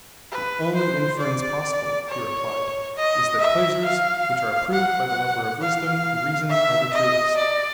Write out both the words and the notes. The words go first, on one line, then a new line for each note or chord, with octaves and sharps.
The only inference possible, he replied, is that pleasures which are approved by the lover of wisdom and reason are the truest.
B4
C5
D5
C#5
D#5
E5
F5
F#5
F5
E5
D#5
D5